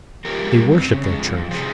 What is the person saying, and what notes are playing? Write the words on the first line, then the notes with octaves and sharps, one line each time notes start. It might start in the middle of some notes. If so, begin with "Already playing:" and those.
They worship their church.
F3 G4 A#4
G#3
G2
C4
C#3
G#3
F2
F2
C3 G#4 C5